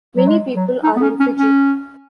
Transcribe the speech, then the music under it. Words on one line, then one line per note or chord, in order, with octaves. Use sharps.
Many people are in Fiji.
F#3
G#3
F#3
D#4
B3
C#4
C#4
C#4